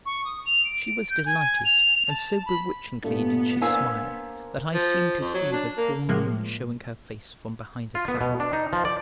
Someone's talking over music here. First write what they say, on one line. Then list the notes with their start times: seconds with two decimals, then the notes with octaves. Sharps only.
She was delighted and so be witchingly did she smile that I seemed to see the full moon showing her face from behind a cloud.
0.06 C#6
0.25 D#6
0.46 F7
0.65 D7
1.10 G6
1.26 G#5
1.65 F7
2.09 A5
2.46 B5
3.03 G2 A#2 A3 B3
3.62 A#3 D4 C5 F5 G#5 E6
4.74 F3
5.20 F2
5.34 F#3
5.52 D4
5.77 A#3
6.09 A2 F3 G#3 A#3
7.95 F4
8.08 B3
8.21 B2
8.40 D4
8.53 D#4
8.73 F3
8.85 D5